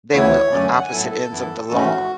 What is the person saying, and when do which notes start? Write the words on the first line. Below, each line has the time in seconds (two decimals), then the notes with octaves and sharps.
they were on opposite ends of the law.
0.12 D2 C#3 E3 B3 E4 C#5
0.52 F#2 D3 F#3 A3 C#4 D5
0.72 F#5
0.82 G#5
0.91 A2 F#3 B3 E4 A4
1.11 A4
1.31 F#2 E3 B3 E4
1.70 G#2 E3 A3 C#4 F#4